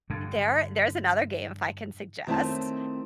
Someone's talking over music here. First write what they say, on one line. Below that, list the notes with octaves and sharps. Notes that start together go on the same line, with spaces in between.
there there's another game, if I can suggest.
G2 D3
D#3 A3 C4 E4 C#5 A5